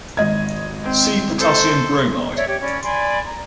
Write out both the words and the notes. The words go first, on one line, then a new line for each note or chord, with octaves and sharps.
See potassium bromide.
G#1 D#5 G#6
C4
A4 C5
C#5 D5 E5
G4 C#5
C#4 D5 B5
D5 G#5 B5 C6
A#5